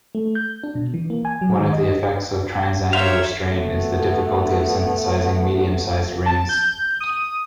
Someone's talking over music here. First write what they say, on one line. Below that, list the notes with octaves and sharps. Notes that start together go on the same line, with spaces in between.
One of the effects of transannular strain is the difficulty of synthesizing medium-sized rings.
A3
G6
D4
B2
E3
A#3
G#5
F#3
D#3
D#5
A#4 C5 C#5 E5 F5
A3 B3
A5
G6
D#6